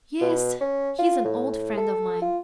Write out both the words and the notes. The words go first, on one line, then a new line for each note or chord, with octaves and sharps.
Yes, he is an old friend of mine.
B2
C#4
F4
A2
A4
F4